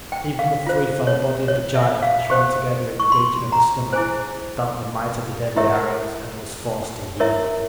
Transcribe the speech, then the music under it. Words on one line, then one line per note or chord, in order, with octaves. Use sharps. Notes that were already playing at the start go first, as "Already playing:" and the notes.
Even the threefold body of the giant which ran together in the region of the stomach, felt the might of the deadly arrows and was forced to yield.
G5
F5
F4 C5
C#5
C#5
E5
F5
G4 C5
C#6
C6
A#5
E4 G#4 C5 G#5
E4 G4 A#4 C#5 E5
E4 A#4 C#5 E5